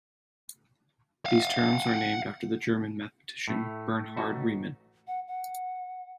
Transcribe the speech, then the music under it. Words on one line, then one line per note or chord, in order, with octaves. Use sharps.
These terms are named after the German mathematician Bernhard Riemann.
F5 F#5
A2 A3
A1 D#4 F#4
F#5
F#5